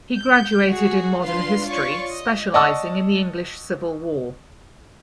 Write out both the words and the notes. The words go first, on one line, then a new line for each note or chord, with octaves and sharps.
He graduated in modern history specialising in the English civil war.
G6
F#4 G#4
D4 F4 B4 F5 C6
F4 C#5 D5 C#6
D#5
D5 D#5 F#5 A5 C#6 E6